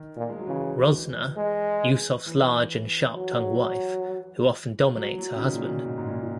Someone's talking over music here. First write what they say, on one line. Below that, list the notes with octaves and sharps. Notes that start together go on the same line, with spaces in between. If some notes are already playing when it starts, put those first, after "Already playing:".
Rosnah - Yusof's large and sharp-tongued wife who often dominates her husband.
Already playing: D#3
A#2
G#3
F#3
C#3 E3
G#3
E3
F#3
F#3
F#3
C#3
D#3
A#2
B2
G#2
G#2
A#2
A#2